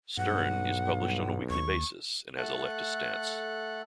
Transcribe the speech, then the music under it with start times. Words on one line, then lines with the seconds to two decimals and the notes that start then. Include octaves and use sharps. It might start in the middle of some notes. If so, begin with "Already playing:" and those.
"Stern" is published on a weekly basis and has a leftist stance.
0.18 B1 G2 F#5
1.50 D#2 C#6
2.37 A3 A4 F#5 F#6